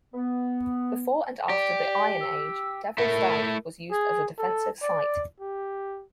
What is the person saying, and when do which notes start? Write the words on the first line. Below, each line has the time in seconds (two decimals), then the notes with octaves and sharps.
Before and after the Iron Age, Devil's Dyke was used as a defensive site.
0.14 B3
1.49 G4 D5
2.21 E6
2.98 A3 E4 A#4
3.92 G#4
4.38 A4
4.82 D5
5.40 G4